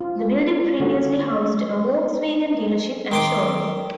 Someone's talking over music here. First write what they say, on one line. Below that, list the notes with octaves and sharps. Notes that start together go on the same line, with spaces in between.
The building previously housed a Volkswagen dealership and showroom.
F4
D3 G3 A#3 F#4 A4
D#3 C6 D6